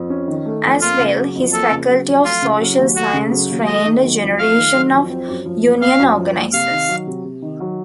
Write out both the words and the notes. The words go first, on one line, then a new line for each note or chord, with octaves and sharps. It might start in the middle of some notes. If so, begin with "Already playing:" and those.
As well, his Faculty of Social Science trained a generation of union organizers.
Already playing: F2
C#4
D#3
A3
F2
A#3 F4
C#3
F#3
F2
A#3 A4
C#3
F#3
F2
A3 F4
C#3
F#3
D#2
A3 F#4
C#3
F#3
D#2
A3 D#5
D#3
F#3
F2
A3 F5
D#3
F#3
F2
C4
F#2
F3
F#1
C4 F5
F#2
F3
F#1
C3 F5
D#3
F#3
C3
C3
D#3
F#3